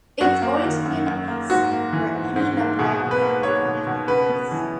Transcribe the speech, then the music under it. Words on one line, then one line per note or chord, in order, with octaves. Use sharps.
It's going to be an ace for any number of Hebrew comedians.
F#2 F#4
A#3
D#3
F#2
F#2
A#3
G#2 F#4
A#3
E3
G#2
G#2
A#3
B2 G#4
B2
B4
A#3
A#3 C#5
B2
B2
C#3 B4
B3
E3